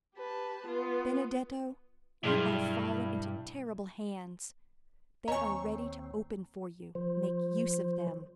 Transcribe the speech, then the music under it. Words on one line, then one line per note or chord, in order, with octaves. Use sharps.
Benedetto, you are fallen into terrible hands; they are ready to open for you--make use of them.
G4 B4 A5
B3 F4
G2 B2 F#3 E4 G#4 D5 C6 F6
D#2 C4 C#5 D#5 G#5 A#5 C#6
F3 C5